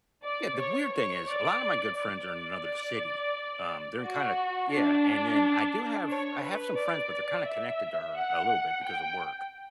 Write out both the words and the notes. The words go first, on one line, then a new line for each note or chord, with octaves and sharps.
Yeah, the weird thing is a lot of my good friends are in another city, um, they're in, kinda yeah, and then, I do have I have some friends, but they're kinda connected to her, a little bit because of work.
D5
C#5
C#5
D5
D5
F#4
D4
C#5
B4
D5
E5
F#5
G5